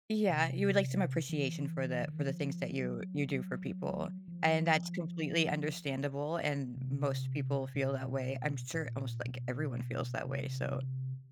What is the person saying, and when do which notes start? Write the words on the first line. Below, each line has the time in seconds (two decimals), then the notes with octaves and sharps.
Yeah, you would like some appreciation for the for the things that you you do for people, and that's completely understandable, and most people feel that way I'm sure almost, like, everyone feels that way, so,
0.30 C3
1.29 E3
2.03 D3
2.12 D#3
2.20 E3
2.29 F3
2.78 F#3
3.29 F#3
4.28 F3
4.77 F3
6.76 C3
7.75 B2
8.74 A#2
9.25 B2
10.24 C3